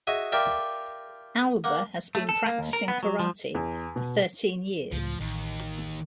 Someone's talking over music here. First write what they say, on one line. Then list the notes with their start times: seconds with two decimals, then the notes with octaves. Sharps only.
Alber has been practicing karate for thirteen years.
0.07 F#4 G#4 D#5 E5
0.32 F4 G4 A#4 D5 E5 G5
1.64 A#3 F#5
2.15 A3
2.29 A4
2.46 A#3
2.59 D#2
2.73 A#4
2.88 B3
3.03 F#3
3.19 F3
3.55 E2
3.96 B2
4.92 C#2 A2 F3
5.20 A1 D#2